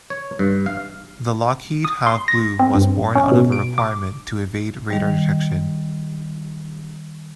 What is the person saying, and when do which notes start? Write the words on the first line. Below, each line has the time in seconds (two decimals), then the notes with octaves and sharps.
The Lockheed "Have Blue" was born out of a requirement to evade radar detection.
0.10 C#5
0.39 G2
0.66 F5
1.85 D#6
2.06 C6
2.28 A#6
2.59 C4
2.74 G2
3.15 C#4
3.32 B2
3.52 D7
3.78 D6
4.90 D#3 G3